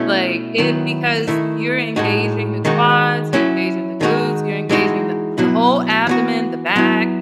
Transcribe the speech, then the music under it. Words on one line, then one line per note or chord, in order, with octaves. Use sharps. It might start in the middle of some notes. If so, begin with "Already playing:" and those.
like, it because you're engaging the quads, you're engaging the glutes, you're engaging the the whole abdomen, the back,
Already playing: B2 A3 C#4 E4
D#3 F#3 B3 E4
D#3 A3 E4
A2 G#3 D#4 F#4
D#3 G#3 D#4 F#4
F#3 C#4 E4
D#3 G#3 D#4 F#4
E3 G#3 D#4 F#4
B2 F#3 B3 E4
E3 B3 F#4
F#3 B3 E4